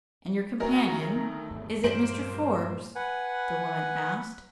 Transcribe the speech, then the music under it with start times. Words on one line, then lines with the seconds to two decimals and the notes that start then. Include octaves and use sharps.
"And your companion--is it Mr. Forbes?" the woman asked.
0.60 D2 F#4 A#4
0.98 C#3
1.16 D#3 A3
1.50 G#1 E2
1.84 G2 A#2 E3 A#3 C5 D7 F#7
2.95 B4 F#5 G#5